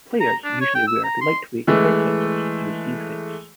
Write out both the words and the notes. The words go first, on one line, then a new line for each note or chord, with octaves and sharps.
Players usually wear lightweight head sensors to receive hits.
A#5
D4
C#5
G5
E6
A#5
C6
E3 G#3 A3